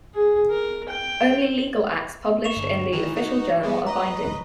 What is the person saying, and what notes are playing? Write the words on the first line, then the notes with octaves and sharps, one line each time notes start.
Only legal acts published in the Official Journal are binding.
G#4
A#4
G5
C#6 E7 F7
G1
D#3 E3
D#4 F#4
G3 G#3 B3
B4 D#5 A#5